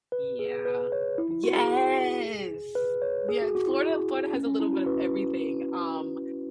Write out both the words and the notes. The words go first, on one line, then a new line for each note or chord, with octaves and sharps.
Yeah. Yes Yeah, Florida, Florida has a little bit of everything. Um,
B4
G#4
B4
C#5
E4
E4
F#4
G#4
B4
C#5
G#4
F#4
F#4
E4
C#4
C#4
E4
F#4
B4